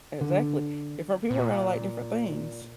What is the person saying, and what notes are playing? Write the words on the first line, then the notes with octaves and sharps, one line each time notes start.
Exactly, different people are gonna like different things.
D3
A#2